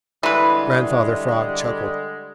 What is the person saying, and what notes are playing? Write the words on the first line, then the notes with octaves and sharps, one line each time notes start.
Grandfather Frog chuckled.
D3 E3 G3 G#3 B4